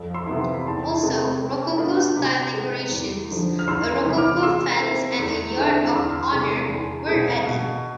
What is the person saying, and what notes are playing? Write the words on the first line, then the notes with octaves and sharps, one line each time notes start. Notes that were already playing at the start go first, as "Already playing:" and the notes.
Also, Rococo style decorations, a Rococo fence and a yard of honour were added.
Already playing: F2
C6 E6
C3 E3 B3 E4
C6
B5
E2 A5 C6
C3 G#3 C4
G#3
B3 D4 F4
C3 B5 D6
G#3 B3
E2
D3 F3
F6
E2 C6 E6
C3 E3 B3 E4
D6 F6
G#3 C6 E6
C4 E4 A4
E2
D3 G#3 C4 E4
E2 C6 E6
F6
C6 E6
C3 G#3 B5 D6
A5 C6
E2 G#5 B5
B2 G#3 C4 G#4 A5
G#5
F5 A5
B2